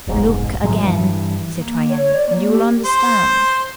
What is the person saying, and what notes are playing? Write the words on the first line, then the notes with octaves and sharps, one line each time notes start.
"Look again, citoyenne, and you will understand."
F1 B1 G#2
A2 F#3 G#3
G2 E3
A#3
C#5
D5
A#3
G4
C5